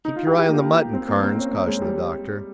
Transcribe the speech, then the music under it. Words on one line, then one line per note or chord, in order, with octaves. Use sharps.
"Keep your eye on the mutton, Carnes," cautioned the doctor.
D#4
F4
G4
G4
A#3
C4
A#3
C4
C#4
A#3
G#3
G3